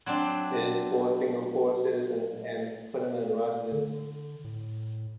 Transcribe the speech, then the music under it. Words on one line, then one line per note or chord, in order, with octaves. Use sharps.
It is for Singapore citizens and Permanent Residents.
F#3 C4 D4
D3
A2